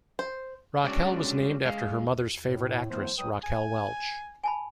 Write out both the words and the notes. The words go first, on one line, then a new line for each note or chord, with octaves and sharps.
Raquel was named after her mother's favorite actress, Raquel Welch.
C5
G3 G#3 C#4 D4 F#4 D5
G#3 F5
A2
D#3 F3 A3 B3 E4 C5
C#2 F#3 B4 G5 D#6
G#5
G#5 A5 B5